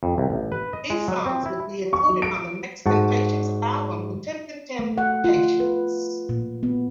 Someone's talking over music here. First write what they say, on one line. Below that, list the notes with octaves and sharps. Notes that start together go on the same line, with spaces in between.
These songs would be included on the next Temptations album, "The Temptin' Temptations".
F2
C2
A1
B4
D#5
G#3
F#3
C4
E4
C#6
F#3
D7
G#2 F#4 A5
A3
F#5
F4
B4
A#2
B3